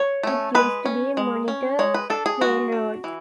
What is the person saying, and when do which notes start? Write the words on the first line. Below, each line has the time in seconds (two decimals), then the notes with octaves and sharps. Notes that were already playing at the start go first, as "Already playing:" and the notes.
It used to be the Montour Railroad.
Already playing: C#5
0.23 A3 C#4
0.55 G#3 B4
0.86 C#4
1.17 G#3
1.48 C#4
1.79 G#3 C#5
1.94 B4
2.10 D4 A4
2.26 G#4
2.41 G#3 F#4
2.72 D4
3.04 E3